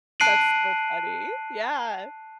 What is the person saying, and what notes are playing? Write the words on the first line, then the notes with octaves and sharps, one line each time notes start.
That's so funny, yeah,
A5 F#6 C7 D7 D#7 F#7